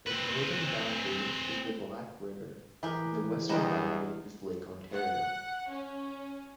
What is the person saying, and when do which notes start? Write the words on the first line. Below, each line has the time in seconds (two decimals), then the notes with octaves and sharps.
The northern boundary is the Black River and the western boundary is Lake Ontario.
0.07 C4 B4
2.83 E3 G4 G#4 A#4
3.49 E2 G3 D4 B4 D#5 G5 A#5
4.93 F#5
5.70 C#4